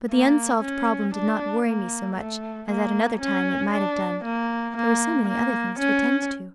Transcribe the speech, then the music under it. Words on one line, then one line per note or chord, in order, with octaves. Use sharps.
But the unsolved problem did not worry me so much as at another time it might have done, there were so many other things to attend to.
A#3
C#4
D4
A#3
A3
A#3
C#4
D4
A#3
A#3
A#3
C#4